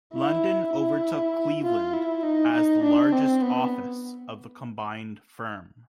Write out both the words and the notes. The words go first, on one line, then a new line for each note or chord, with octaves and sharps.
London overtook Cleveland as the largest office of the combined firm.
E4
E4
F4
E4
D#4
D#4
D4
C4
B3